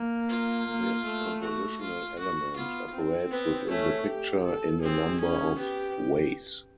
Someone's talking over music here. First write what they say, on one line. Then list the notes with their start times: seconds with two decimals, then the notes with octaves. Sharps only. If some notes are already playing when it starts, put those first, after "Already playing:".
This compositional element operates within the picture in a number of ways.
Already playing: A#3
0.29 F4
0.67 A#3
1.05 A3
1.42 F#4
1.80 F4
2.18 F#4
2.55 B3 F4
2.93 C4
3.31 B3
3.68 A3 C#4
4.07 G4
4.44 A4
4.82 C4 G#4
5.20 C#4
5.57 B3 G4